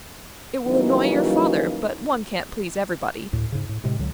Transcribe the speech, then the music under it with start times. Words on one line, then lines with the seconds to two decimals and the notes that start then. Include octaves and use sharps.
It will annoy your father, but one can't please everybody.
0.67 C#3 E3 F#3 G3 A#3 D#4
3.33 D2 A2
3.52 G#2 C#3
3.69 A2
3.84 A2 C3 G#3
3.99 C#2 D3 F#3